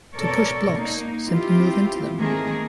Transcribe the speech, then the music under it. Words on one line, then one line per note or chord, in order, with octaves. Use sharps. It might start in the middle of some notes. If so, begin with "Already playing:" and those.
To push blocks, simply move into them.
B2 A4 A#4 C#5 D5
A#3 D#4
C4 E4 F4 G4
D#3 A3 A#3 C4 G#4 A#4